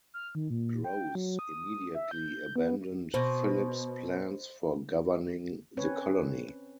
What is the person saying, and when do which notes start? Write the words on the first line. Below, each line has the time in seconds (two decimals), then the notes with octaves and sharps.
Grose immediately abandoned Phillip's plans for governing the colony.
0.14 F6
0.35 D#3
0.50 A#2
0.84 G5
1.15 F#3
1.39 D#6
1.95 E5
2.11 G6
2.56 B3
3.14 B2 C5
5.77 C4 C#4 B4 C#5